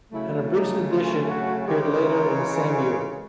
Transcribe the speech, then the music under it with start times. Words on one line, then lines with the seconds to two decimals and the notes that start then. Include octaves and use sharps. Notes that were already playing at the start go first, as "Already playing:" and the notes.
An abridged edition appeared later in the same year.
0.12 C#3 F#3 A3 E4
0.51 D#4
0.89 F4
1.28 F#4
1.66 C#3 E3 G#3 G4
2.04 A#4